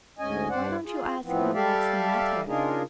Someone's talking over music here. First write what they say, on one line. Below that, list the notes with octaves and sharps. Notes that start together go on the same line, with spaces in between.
"Why don't you ask me what's the matter?"
D2 G#2 C#4 D#5 G#5
G2 C5 D5 F#5
F4 G#4
A2 E3 F3 B3 C4
G3 G4 A4 D5 E5 F5
C#3 D4 D#4 F4 G#4 A#4